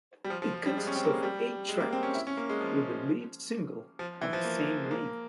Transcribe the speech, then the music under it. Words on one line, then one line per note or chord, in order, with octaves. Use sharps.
It consists of eight tracks with the lead single of the same name.
G3
F3
F3
F3
G3
G#3
C#4
C4
A#3
G#3
G3
G#3
A#3
C4
C#4
E4
C#4
A#3
G#3
F3
F3
E3
F3
A#3
G#3
A#3